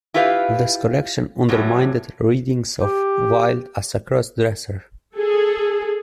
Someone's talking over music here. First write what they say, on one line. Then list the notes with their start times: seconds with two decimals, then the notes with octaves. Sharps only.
This correction undermined readings of Wilde as a cross-dresser.
0.14 E4 F4 G4 B4 C5 F5
1.49 E2 A2 F#3 G3
2.80 G4
5.16 G#4 A4